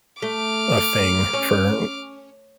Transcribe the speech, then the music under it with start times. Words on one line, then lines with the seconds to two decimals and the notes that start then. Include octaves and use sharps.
a thing for
0.22 A3 D6 F6
1.33 C#4